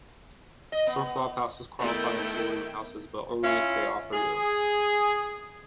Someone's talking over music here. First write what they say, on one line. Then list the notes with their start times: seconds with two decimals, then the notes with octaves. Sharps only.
Some flophouses qualify as boarding houses, but only if they offer meals.
0.72 D#5
0.87 B3
1.78 D#3 A3 B3 E4 G5
3.43 C#4 E4 F4 C#5
4.12 G#4